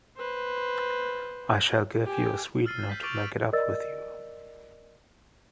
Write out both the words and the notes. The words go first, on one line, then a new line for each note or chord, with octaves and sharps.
I shall give you a sweetener to make it up with you.
B4 C5
G4 G#5
E6 F6 A6 C7 D#7
G6 B6
C#6 D6 A6 D7 F7 F#7
D#7
A#4 D5 D#5 E6 A6